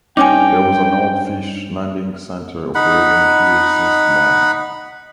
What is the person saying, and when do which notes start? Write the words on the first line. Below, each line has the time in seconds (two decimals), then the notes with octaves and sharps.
There was an old Fish landing centre operating here since long.
0.17 G2 C#4 D#4 G5 G#5 D6
2.75 D#4 F#5 B5